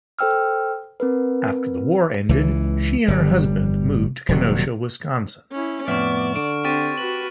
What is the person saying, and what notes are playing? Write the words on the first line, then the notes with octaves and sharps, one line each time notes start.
After the war ended, she and her husband moved to Kenosha, Wisconsin.
A4 C5 G5 E6 F6
C4 A#4 B4
C#2 E3
G1 G3
D#1 C3 F#3
C#4 E4
F2 A2 B3 D5 E5 C#6 F6
D3 C#6 D7
C4 D4 G4 C#6 A6 D#7
F#4 B4 F#7